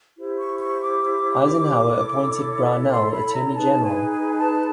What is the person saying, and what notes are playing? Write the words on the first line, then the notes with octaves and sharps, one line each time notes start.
Eisenhower appointed Brownell Attorney General.
E4 G4 C5
C#6
C#6
D6
E4 A4 C#5
C6
B5
A#5
D#4 G#4 B4 A5
G#5
G#5
G#5
A5